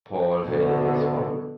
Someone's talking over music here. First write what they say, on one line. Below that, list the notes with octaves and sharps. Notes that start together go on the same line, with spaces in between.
Paul hated his father.
D2 B2 D3